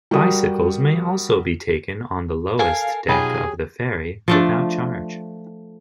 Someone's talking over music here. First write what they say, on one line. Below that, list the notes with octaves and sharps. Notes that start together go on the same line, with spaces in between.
Bicycles may also be taken on the lowest deck of the ferry without charge.
G3 F#4 A#4 D#6
A4 A#4 F5 G#5
B2 F#3 D#4 F4 G4 G#4 G#5 B5
F3 A3 D4